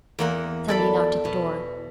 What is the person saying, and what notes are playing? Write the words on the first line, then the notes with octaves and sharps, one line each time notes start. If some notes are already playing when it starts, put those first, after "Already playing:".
Somebody knocked at the door.
E2 A#3 F#5
A4 D5 B5
B2